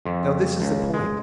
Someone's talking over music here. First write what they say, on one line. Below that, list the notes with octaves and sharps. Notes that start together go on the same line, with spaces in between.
Now this is the point.
F2
C#2
G#3